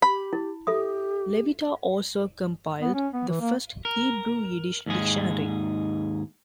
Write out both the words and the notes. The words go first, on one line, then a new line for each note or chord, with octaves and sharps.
Levita also compiled the first Hebrew-Yiddish dictionary.
G4 B5
E4
G4 A4 E5 D#6
B3
C#4
B3
E3
A#3
A#4
D#2 G#2 G#4